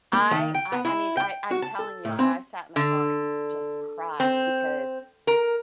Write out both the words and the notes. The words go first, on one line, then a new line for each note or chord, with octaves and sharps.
I I I mean, I I'm telling you, I I sat in the car and cr just cried because
A#3
D#3
G5
B3
E4
G5
F#4
A5
A4
A2
C4
D3
C4
A#4